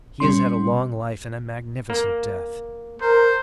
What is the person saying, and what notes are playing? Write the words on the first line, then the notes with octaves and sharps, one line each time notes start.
He has had a long life and a magnificent death!
C3 G3 C#4 C6
A#3
A#4 C5